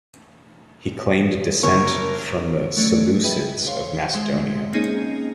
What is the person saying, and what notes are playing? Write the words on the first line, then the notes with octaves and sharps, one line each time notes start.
He claimed descent from the Seleucids of Macedonia.
F#1 A#4 C#5
F#3 A3 C#4 D5 D7
G#4 B4 D#5 E5 G5 B5
C5 C#5 F5 C6
G#3 E5 C6
A#3 C4 C#4 D#4 G#4 D#5